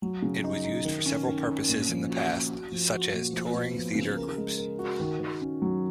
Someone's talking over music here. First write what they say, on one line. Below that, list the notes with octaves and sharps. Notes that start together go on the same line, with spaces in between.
It was used for several purposes in the past, such as touring theater groups.
F#3
C#3
D#4
D#4
D#3
C#4
D#3
C#4
A#2
F3
F#4
F#4
F#4
F3
F#4
A#2
F3
B3
F3
C#3
A#4
G#3
A#4
F#4
D#3
D#3
C#4
F#3